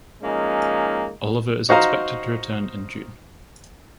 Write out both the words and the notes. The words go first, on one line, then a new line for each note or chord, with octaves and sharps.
Olivier is expected to return in June.
F3 G#3 A#3 C#4 D#4
D#4 F#4 C5 D#5 F5 A#5